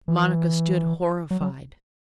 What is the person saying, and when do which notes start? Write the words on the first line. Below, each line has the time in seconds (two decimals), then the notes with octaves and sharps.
Monica stood horrified.
0.08 E3
1.31 F#3
1.41 F#3